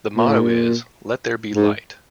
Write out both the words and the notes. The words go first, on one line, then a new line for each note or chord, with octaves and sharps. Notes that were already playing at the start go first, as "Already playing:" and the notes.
The motto is "Let there be Light".
A#2
A2
A#2
G#2